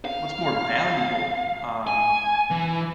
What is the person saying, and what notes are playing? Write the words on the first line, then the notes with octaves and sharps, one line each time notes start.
what's more valuable, um
F5
G#5
E3